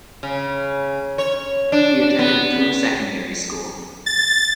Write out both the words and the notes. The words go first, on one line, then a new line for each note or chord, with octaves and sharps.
He attended Poo Secondary School.
C#3
C#5
D4
B3
A6